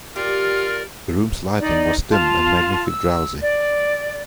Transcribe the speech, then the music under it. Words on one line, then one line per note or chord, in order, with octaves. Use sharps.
The rooms lighting was dim and made me feel drowsy.
F4 G4 A#4 D5
D#4 D5
F4 A5
E6
D5